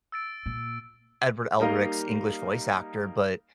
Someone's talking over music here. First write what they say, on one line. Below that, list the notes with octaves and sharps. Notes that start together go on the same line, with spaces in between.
Edward Elric's English voice actor, but
E6 A6 D7
A#2
G3 A#3 D#4 A#4 D#5 F5